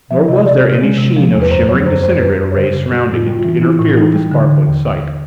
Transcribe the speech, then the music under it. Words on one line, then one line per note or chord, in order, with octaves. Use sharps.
Nor was there any sheen of shimmering disintegrator rays surrounding it, to interfere with the sparkling sight.
F3 E5
C3 D#5
C3 D5
C3 C#5
G#3
C3
F3
E2
B4
F#2 C5
F#3 C#5
F#2 C5
F#2 C5
F#2 B4
F#2
C#5
C#3 C5
C#3
G3 F#4
A2
F4
G3
F4
E3
E3 E4
A2
E3 D#4
G3
D3
D3
D#2
D#2